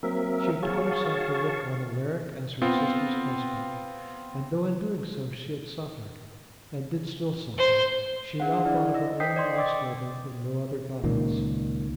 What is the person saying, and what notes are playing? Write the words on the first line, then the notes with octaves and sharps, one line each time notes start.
She had taught herself to look on Alaric as her sister's husband, and though in doing so she had suffered, and did still suffer, she now thought of her own lost lover in no other guise.
F#3 A#3 C4 A#4 E5
F#4 G#4 C#5 F5 A5 C#6
B3 C4 F4
C5
D4 G#4 C5 F5 F#5
E4 D5
D#5 E6 A#6
C5 G5 D#6 G6 B6 C7
D5 D#5 C6 D#6
G5 C#6 D6 E6 A6
C#2 A#2 D#3 A#3